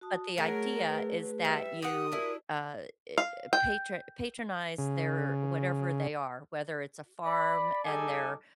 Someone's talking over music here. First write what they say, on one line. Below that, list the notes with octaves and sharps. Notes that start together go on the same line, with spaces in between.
but the idea is that you, uh, eh, uh, patro patronize their whatever they are, whether it's a farm and they're
F#4 A5 D#6
F#3 A3 G#4 A#4
B4
G3 E5
G4 F#5 D#6
D4 E4 F#4 A#4
F5
G5
C#3
D5 B5
G3 D#4 G#4 A4 G#5 D6